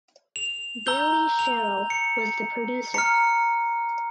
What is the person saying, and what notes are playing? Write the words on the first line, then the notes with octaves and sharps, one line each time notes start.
Billy Sherrill was the producer.
F7
A#5 E6 G6 G7
F7
C#7
A#5 F6 C#7